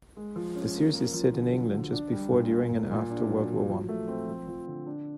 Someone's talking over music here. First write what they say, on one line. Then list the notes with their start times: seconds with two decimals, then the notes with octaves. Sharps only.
The series is set in England just before, during, and after World War One.
0.17 G#3
0.36 F3
0.55 C#4
0.75 A#3
0.95 A#3
1.14 F3
1.34 D3
1.53 F#3
1.73 D3
1.93 D4
2.12 G3
2.32 A#2
2.51 A#3
2.71 A#2
2.91 A#2
3.10 D4
3.30 F#3
3.50 F#3
3.69 F3
3.89 A3
4.08 C4
4.28 F3
4.47 F3
4.67 D3
4.87 D4